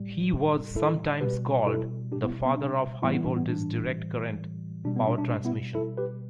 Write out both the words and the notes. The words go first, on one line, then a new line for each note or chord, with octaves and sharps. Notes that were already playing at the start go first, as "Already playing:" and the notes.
He was sometimes called "The Father of High Voltage Direct Current" power transmission.
Already playing: A2 G3
E4 A4
B2 G3 G4 B4
E4 A4
D4 G4
B3 E4
B3
D4
A2 E3 G3 B3 E4
B3 E4
D4
B3
D4
B2 G3 D4
B3
D4
D4
D4
B3 E4
E4 A4
G4 B4